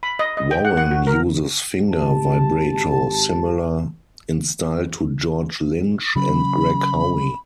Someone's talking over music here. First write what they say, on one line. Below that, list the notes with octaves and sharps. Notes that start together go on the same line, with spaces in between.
Warren uses finger vibrato, similar in style to George Lynch and Greg Howe.
B5
D#5
D#5
G5
F#5
F#5
F#4
A#4
G#1 G4 A5
C#3 F#3 C#4 B5